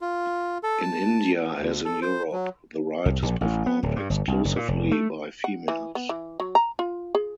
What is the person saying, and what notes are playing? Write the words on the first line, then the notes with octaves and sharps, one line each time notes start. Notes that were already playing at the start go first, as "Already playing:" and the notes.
In India, as in Europe, the rite is performed exclusively by females.
F4
A4
A5
D2
A4
C5
F#3
C2
A#1
A1
B3
D1
G2
G1
C2
F#1
A#2
F1
A3
F#5
E3
B3
E3
F#3
A#5
F4
G#4